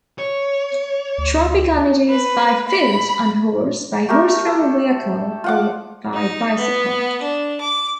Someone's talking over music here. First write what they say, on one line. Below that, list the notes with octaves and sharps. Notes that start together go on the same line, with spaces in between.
Traffic on it is by foot, on horse, by horse-drawn vehicle, or by bicycle.
C#5
D2
B4
B5
A3 G4 A#4
A4
F4 F#5 D6
D#4
B3
D4
D6